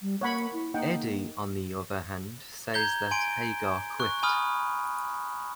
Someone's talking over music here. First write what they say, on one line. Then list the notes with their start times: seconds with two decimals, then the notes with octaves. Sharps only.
Eddie, on the other hand, says that Hagar quit.
0.01 G3
0.21 A#3 C#5 F#5 B5
0.53 E4
0.74 A#3 D#4 F#5 G5
2.74 A#5 G6 G#6 G7
3.11 G#5 C6 D7
4.00 C#6 F#6
4.23 G#5 B5 D#6 F6